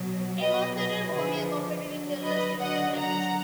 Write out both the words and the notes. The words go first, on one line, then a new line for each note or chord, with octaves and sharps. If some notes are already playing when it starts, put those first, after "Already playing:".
A month later Bohemia competed in their last European Championship.
Already playing: B2 F#3
B2 F#3 B4 D#5
B4 D#5
D3 F3 G#4 B4
D3 F#3
B4 D#5
D3 F#3 D#5 F#5
F#5 A#5